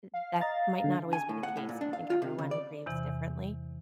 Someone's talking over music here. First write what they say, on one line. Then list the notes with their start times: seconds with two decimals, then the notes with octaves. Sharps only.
th that might not always be the case. I think everyone grieves differently.
0.14 F5
0.41 D#5 A#5 A6
0.84 D3
1.13 G#5
1.29 A2
1.43 F#5
1.57 A2
1.69 A#2
1.81 D4
1.93 F5
2.10 F4
2.22 C3
2.38 C#3
2.51 D5
2.86 E2 C3 E3